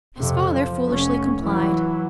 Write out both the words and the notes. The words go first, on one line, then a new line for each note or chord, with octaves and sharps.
His father foolishly complied.
F2 C3
F3
F1 C#4
E3 F#3